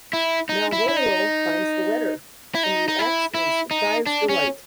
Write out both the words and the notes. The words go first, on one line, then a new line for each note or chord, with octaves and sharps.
Malvolio finds the letter and reacts in surprised delight.
E4
D#4
E4
E4
D#4
E4
D#4
D#4
E4
E4
D#4
D4
C#4